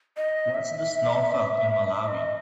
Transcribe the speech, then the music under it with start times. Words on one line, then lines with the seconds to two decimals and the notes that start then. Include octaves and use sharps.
What's the snowfall in Malawi?
0.17 D#5
0.54 E5
2.03 E5
2.08 D#5